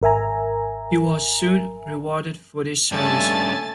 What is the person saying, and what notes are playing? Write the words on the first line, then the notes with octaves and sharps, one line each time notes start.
He was soon rewarded for this service.
G#1 A#4 E5 G#5 A#5
G2 C#3 A3 G#5 A5 A6